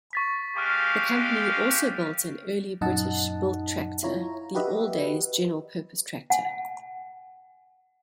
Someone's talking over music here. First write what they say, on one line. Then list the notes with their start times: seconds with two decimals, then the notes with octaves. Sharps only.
The company also built an early British built tractor, the "Alldays General Purpose Tractor".
0.13 C#6 A6 B6
0.57 G#3 G4 F5 C#6 F6 F#6
2.81 F#2 A#2 D#4 D#5 F#5 A5
4.03 E4 F4 C#5 A#5
4.55 F#4 G4 B4 D#5 E5
6.30 F#5 G#5